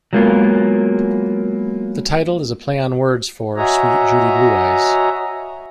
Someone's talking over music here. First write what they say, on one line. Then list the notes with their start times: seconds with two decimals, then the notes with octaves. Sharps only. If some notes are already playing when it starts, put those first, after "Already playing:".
The title is a play on words for "Sweet Judy Blue Eyes".
0.13 F#3 G#3 A#3 B3 F4
3.56 F#4 C#5 D#5 E5 G#5 A#5